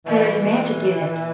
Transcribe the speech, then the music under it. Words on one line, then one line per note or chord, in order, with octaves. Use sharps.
There is magic in it.
A#2 E3